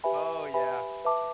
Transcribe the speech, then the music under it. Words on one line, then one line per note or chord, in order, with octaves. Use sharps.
Oh, yeah.
G4 B4 E5 G#5 B5
G4 B4 E5 G#5 B5
B4 E5 A5 D6